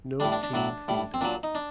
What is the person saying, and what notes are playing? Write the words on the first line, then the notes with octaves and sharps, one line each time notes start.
No team fielded.
A2 G3 D4
D4
D4
A2 F#3 D4
A2 G3
C4
A#2 F#3 D4
D#4
D4